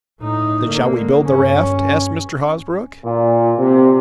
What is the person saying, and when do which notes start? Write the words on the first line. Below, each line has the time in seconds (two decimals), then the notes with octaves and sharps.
"Then shall we build the raft?" asked Mr. Hosbrook.
0.20 A2 D#4
0.66 D3 A#3
1.23 G2 C#4
3.04 A#2
3.58 C3